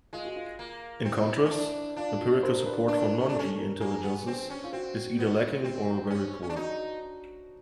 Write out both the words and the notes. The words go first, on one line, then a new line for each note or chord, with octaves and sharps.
In contrast, empirical support for non-"g" intelligences is either lacking or very poor.
G#3 F4
F#4
F4
A#3
C4 E4
D#4
E4
C#4
D4
D4 F4
F#4
C5
A#4
B4
D4 A#4
C#4
D4
C#4 A4
A#4
A#3 G#4
B3
C4
C#4
F4
C4 F#4
B3
C4
C#4
C#4
D4
D#4 F#4